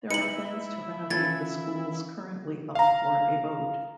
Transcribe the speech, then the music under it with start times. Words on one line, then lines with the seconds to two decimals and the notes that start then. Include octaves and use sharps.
There are plans to renovate the schools currently up for a vote.
0.11 D#4 E4 B4 C#7 F#7
1.10 E3 C#4 F4 A4 G#6 A6
2.75 F5 A#5